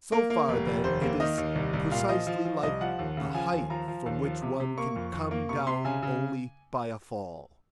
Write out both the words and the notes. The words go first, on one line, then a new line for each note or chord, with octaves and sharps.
So far, then, it is precisely like a height from which one can come down only by a fall.
A#3 A#4
A#3
F1
F1
D#2 C5
A#3
D#3 D#5
D#2
C2
C2
A#2 F5
F3 D#5
F3
F3
C2 D#5
F3 F#5
D#2
C#3
F3 G#5
D#2
F3 A#5
F3
D#2
F3
C3
C3
A#3 C#6
F2
F2
A#3
C3 C#6
C3 C6
C#3 G#5
C#3